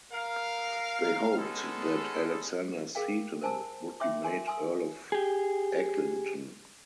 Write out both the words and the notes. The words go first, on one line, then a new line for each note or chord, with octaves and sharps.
They hoped that Alexander Seton would be made Earl of Eglinton.
A#4 F5
G#3 B3 C#4 D#4 G#4 A4
G#4 A#4 F5 G5
A#4 C5 G#5 A5 E6
C#5 E5 G5 C6 D6
A#4 G#5 C6
G#5 C6 D#6 E6
G4 G#4